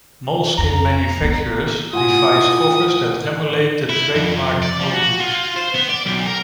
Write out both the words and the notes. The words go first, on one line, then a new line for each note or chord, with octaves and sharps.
Moleskine manufactures device covers that emulate the trademarked notebooks.
F2 A#5
A#3 B3
A2 F4 F#5 G#5 D#6
E4
F2
D5
F3
F#4
F4
C5
B3
D5
B1
A#4